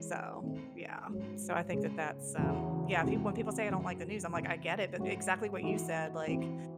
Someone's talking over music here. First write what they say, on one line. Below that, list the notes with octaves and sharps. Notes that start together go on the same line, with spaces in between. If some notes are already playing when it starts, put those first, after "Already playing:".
So, yeah. So, I think that that's, um, yeah, pe when people say, "I don't like the news," I'm like, "I get it," but exactly what you said, like,
Already playing: E3 G#3 C#4
D#3 A3 C4 D#4
G#2 F#3 C#4
C#3 G#3 C#4 G#4
E2 C#3 F#3 A3
C3 E3 G#3 D#4 F#4
F#2 D#3 A3
C#3 E3 A3 C4 E4
G#2 F#3 A3 C#4 F#4
E3 A3 D#4 F#4
E3 C4 F#4